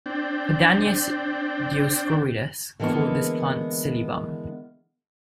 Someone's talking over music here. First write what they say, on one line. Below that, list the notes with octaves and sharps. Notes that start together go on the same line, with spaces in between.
Pedanius Dioscorides called this plant silybum.
C4 D4 G5
D3 E3 G#3 A#3 B3